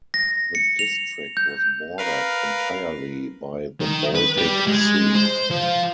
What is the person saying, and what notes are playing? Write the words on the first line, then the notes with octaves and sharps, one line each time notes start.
The district was bordered entirely by the Baltic Sea.
A#6
C#7
F7
G6
A#4 B4 F5
D#3
B4
G3
G#3
C5
F3